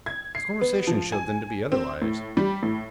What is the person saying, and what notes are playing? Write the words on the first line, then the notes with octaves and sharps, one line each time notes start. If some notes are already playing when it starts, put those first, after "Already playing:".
His conversation showed them to be otherwise.
G#6
C7
B3
F3
G#5
C4
A2
G3
A2